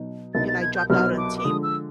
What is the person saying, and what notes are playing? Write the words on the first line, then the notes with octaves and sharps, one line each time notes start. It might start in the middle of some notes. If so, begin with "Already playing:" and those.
and I dropped out of the team,
Already playing: B2 F#3 B3 D#4
C2 B2 F#3 B3 D#4 A6
A6
G#6
G6
C2 B2 F#3 B3 D#4 F6
D6
D6
D3 F3 G#3 D#6
E6